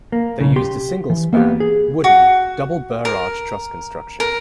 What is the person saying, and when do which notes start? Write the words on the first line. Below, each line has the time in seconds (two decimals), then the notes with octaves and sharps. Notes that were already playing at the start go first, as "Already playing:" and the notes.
They used a single span, wooden, double Burr arch truss construction.
0.12 A#3
0.40 B1 C#3
0.56 G4 C6
1.10 E3
1.33 A#3 B3 G4
1.60 G#4
2.04 F#4
3.05 A#4
4.20 A#4